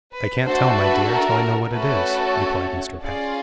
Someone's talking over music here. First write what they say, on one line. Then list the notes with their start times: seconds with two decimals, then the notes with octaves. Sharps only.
"I can't tell, my dear, till I know what it is," replied Mr. Peck.
0.13 B4
0.45 A3 D4 F#4 A4 C5
0.78 B4
1.10 A#4
1.73 A3 C#4 F#4 A4 B4
2.38 C#5
3.02 C#4 F4 G#4 D5